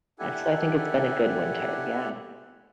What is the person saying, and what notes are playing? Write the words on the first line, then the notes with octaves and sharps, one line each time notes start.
and so I think it's been a good winter, yeah.
D4 E4 G4 A4 F#5 G#5